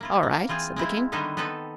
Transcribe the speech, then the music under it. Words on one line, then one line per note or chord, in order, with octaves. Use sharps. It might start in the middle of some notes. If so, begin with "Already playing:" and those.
"All right," said the King.
A#3 E4 F4
A#3
E3 C4 F4 G#4
G#3 C4 E4 F4
D3 D#3 G3 B3 D#4 E4
B3 C4 D#4 A4 B4